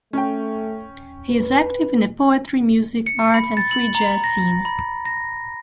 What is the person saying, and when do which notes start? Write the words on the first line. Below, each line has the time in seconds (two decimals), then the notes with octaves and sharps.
He is active in the poetry, music, art, and free jazz scene.
0.13 A3 C#4 G5
1.30 B4
3.06 C#7
3.34 B5
3.57 A6
3.71 F#7
3.95 A#5
4.24 A#6
4.65 B5
5.05 A#6